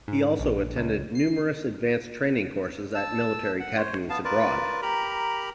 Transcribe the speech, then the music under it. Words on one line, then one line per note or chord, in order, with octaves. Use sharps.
He also attended numerous advanced training courses at military academies abroad.
G#2
A#1
C#2
C7
A5 E6
F#5
C5 C#5
B3 F5 A5
F4 A#4 B4 D5
G4 A#4 A#5 B5